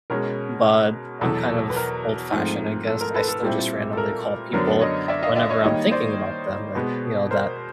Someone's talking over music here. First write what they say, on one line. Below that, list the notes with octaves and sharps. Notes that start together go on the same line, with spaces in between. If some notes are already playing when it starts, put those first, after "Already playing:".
but I'm kind of old-fashioned, I guess. I still just randomly call people whenever I'm thinking about them and, you know, that
B2 G#3 C#4 A#4
E2 B2 F#3 A4
A4
B4
A#4
G#2 F3 A3 C4
A4
A#4
A4 B4
A4
A#2 G3 C4 E4
A4
A#4
F#2 D3 F#3 B3 D4 A#4 C5
C#5 D#5
D5 E5
D#5 F5
D5 E5
C#5 D#5
D#3 G3 A#3 D#4 C#5 D#5
C5 D5
B2 G#3 B3
A#4 C5